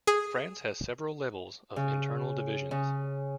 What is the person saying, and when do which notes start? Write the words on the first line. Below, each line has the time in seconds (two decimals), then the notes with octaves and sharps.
France has several levels of internal divisions.
0.07 G#4
1.76 C#3
2.71 C#3